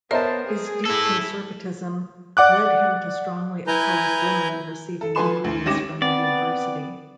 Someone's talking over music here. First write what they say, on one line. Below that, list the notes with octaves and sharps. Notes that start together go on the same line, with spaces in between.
His deep conservatism led him to strongly oppose women receiving degrees from the University.
B3 A#4 C5 C#5 D#5 E5 A5
G#4
E4 A4
D5 F#5 D6 F#6
E4 B4 G#5 A#5 G6
A4
F3 A4 B4 G#5 C6 E7
D2
G#1 C#4 G4 D6 A#6 E7
B3 C4 D5